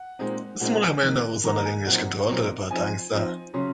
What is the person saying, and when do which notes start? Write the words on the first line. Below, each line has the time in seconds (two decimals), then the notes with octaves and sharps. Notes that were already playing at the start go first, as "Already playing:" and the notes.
The small remainder was under English control to repair tanks there.
Already playing: F#5
0.19 A#2 G#3 C4 D#4
0.60 A#2 G#3 C4 D#4 F#5
0.82 G#5
1.03 D#3 A#3 D#4 F#6
1.44 D#3 A#3 D#4 A#5
1.65 G#5
1.86 A#2 F#3 C4 D#4 F#5
2.28 A#2 F#3 C4 D#4
2.71 F3 C4 D#4 G#5
3.12 F3 C4 D#4
3.54 C#3 F#3 C#4 C6